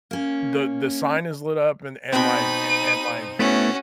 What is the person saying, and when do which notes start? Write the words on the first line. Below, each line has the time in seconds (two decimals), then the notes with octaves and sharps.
the the sign is lit up and and, like and, like,
0.11 A#3 C#4
2.13 B2 C4 D#4 B5 D#7
3.39 A3 B3 C#4 E4 F#4